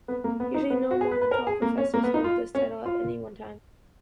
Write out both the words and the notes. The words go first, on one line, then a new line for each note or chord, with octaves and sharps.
Usually no more than twelve professors hold this title at any one time.
B3
A#3
B3
D#4
B3
F#4
G#4
B4
B4
A#4
G#4
A#3
C#4
A#3
B3
D#4
F4
C#4
F4